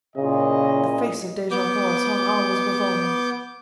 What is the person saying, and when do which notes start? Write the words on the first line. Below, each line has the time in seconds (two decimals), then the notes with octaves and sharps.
The face of Dejah Thoris hung always before me.
0.16 A#2 C#3 E4 A#4 D#5
1.51 B3 D6 G6